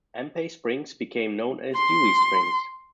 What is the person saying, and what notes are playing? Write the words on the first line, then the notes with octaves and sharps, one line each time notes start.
Empey Springs became known as Dewey Springs.
C6